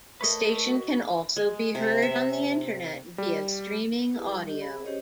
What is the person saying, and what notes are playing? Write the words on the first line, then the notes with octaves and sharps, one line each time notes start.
The station can also be heard on the Internet via streaming audio.
A3 A#4 B4 C#5 D#5
F#4
G#3
C3
E5
G3
E4 G4 G#4 B4
G3
G4 D#5
B5
G#4
C#4 G4 C5 C#5 D#5